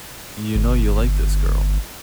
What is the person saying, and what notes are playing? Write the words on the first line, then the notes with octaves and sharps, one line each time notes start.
You know you like this girl.
G1